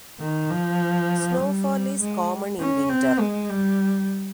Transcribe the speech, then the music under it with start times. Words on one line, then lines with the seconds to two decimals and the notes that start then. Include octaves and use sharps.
Snowfall is common in winter.
0.20 D#3
0.50 F3
1.41 G3
2.00 G#3
2.60 C#4
2.90 C4
3.20 G#3
3.50 G3